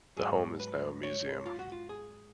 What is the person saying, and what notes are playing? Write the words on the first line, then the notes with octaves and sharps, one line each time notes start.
The home is now a museum.
G#2 F#3 G#4
B4
C#5
F4
F#4
F4
G#4